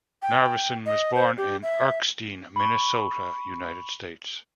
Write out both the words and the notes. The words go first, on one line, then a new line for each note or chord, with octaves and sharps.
Narveson was born in Erskine, Minnesota, United States.
G5
D#5
C5
G4
E5
B5 C#6